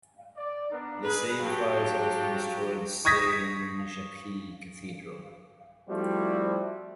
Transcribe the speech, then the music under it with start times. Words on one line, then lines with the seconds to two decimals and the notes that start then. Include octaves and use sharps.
The same fires also destroyed the Saint-Jacques Cathedral.
0.37 D5
0.72 B3 D4 A#4
1.03 G#4 B4
1.40 F#3 G4 F5 G5 A5
3.05 C#6 D#6 G#6 A#6 B6
5.89 F3 G3 A3 C4 E4 F#4